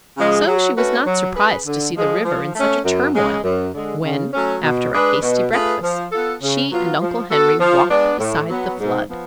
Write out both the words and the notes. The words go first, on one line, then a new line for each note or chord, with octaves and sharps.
So she was not surprised to see the river in such a turmoil when, after a hasty breakfast, she and Uncle Henry walked beside the flood.
C#3 F3 G#3
F#3
A3 C#4 F#4 B4
F#3
C#4 G#4 B4
D3
F3 G#3
F3
A3 C#4
F#2
C#3 G#3
F#2
D3 G#3
C#3
F#3 A3 C#4
B2
G#3 D4 G#4 B4
B2
A3 F4 G#4 B4
F3
B3 F4 A4
C#3
F#3 B3 F4
F3
B3 F#4 A4
F3
G#3 B3 D4
A2
F#3 B3
G#2
F3 B3